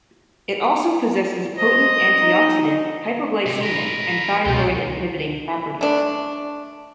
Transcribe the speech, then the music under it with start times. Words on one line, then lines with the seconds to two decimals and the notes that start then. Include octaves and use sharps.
It also possesses potent antioxidant, hypoglycemic and thyroid inhibiting properties.
1.58 C5 D#5
2.21 D#4
3.46 C3
3.63 A#4 B4
4.46 C#2 B2 C4 F4 G6
5.81 A3 D4